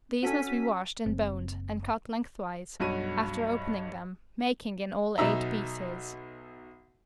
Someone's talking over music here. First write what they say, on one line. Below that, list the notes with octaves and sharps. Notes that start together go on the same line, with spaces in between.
These must be washed and boned and cut lengthwise, after opening them, making in all eight pieces.
C#4 F#4 A4 B6 D#7
F#1 C4
B1 G2 F#4 C#5 D#7
B1 B2 D#4 E5 A#5